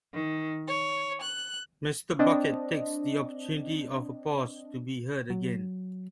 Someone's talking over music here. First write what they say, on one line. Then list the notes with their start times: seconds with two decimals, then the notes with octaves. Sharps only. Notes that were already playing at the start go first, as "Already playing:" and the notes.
Mr. Bucket takes the opportunity of a pause to be heard again.
0.13 D#3
0.67 C#5
1.20 F#6
2.19 C4 D4 D#5
5.30 F#3